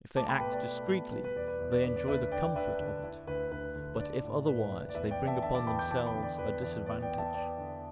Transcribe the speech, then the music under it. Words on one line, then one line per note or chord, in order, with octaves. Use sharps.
If they act discreetly, they enjoy the comfort of it; but if otherwise, they bring upon themselves a disadvantage.
A3 A5 D6
G5 B5
B2 B4
D5
A3
B2
G3 B4
B4
E2 D5
B4
E2
D5
D3 B4
D5
D2 B4 E5
D3 D5 G5
D4 B4 E5
D3
E4
D2 B4
D2 B4
D3
D4 D5
A2
A2 B4
A2
D5
E2 B4 E5
D5 G5
E2
E5 A5
D3 E5 A5
A5 D6
E2 G5 B5
D6 G6
E2 A5 D6
G5 B5
D3
D5
E2 B4
E2 D5
B3 D5
D5 G5
B3
E5 A5
B3 D5 G5
D3